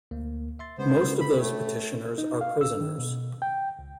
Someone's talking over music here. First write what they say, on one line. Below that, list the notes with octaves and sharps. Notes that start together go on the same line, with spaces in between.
Most of those petitioners are prisoners.
D2 A#3
E5 C6 A6
C#3 G#3 B3 C#4 C5
B5
A3 C#5 G5
D#4
F5
E6
D#3
B2
G5
C#2